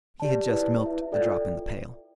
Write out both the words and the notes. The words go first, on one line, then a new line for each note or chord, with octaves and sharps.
He had just milked a drop in the pail.
G4 D5 A5
E4 B4 D5
E4 B4 E5
F4 A4 D5 G5